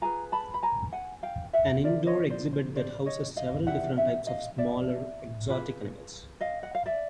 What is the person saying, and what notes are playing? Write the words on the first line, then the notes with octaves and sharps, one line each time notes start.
An indoor exhibit that houses several different types of smaller, exotic animals.
F4 G#4 B4 G#5 A#5
A5 B5
B5
G#5 A#5
F#5 G#5
F5 G5
E5 F#5
F4 A#4 D5 E5
C#5 D#5
C5 D5
C5
C5 D5
C#5 D#5
D#5 F5
D4 G4 B4 E5 F#5
E5 F#5
D#5 F5
D5 E5
F4 G#4 B4
D#5 F5
F#5
F5
D5 E5